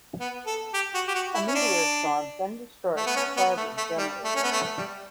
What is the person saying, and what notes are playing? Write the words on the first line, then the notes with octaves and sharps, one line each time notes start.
A meteor storm then destroys the starboard generator.
B3
A4
G4
F#4
G4
F#4
E4
C#4
D4
A3
B3
C#4
B3
A3
A3
G3
A3
C#4
B3
A3
G3